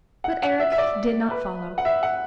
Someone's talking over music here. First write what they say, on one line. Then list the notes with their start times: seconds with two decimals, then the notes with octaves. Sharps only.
But Eric did not follow.
0.24 F#5
0.43 F#5
0.60 E5
0.72 E5
0.78 D5
1.31 B4
1.78 F#5
1.85 E5
2.03 F#5